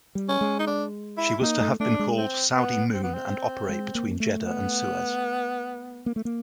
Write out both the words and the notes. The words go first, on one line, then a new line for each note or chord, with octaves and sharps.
She was to have been called "Saudi Moon" and operate between Jeddah and Suez.
G3
C#4
G#3
D#4
D4
E4
A#3 D#4
A3
A3 D4
G#3
C4
B3
C4
B3
C4
G#3
A#3
A3
B3
A#3
A3
A#3